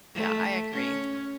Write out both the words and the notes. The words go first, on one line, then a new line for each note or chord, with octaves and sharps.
Yeah, I agree.
A3
C#4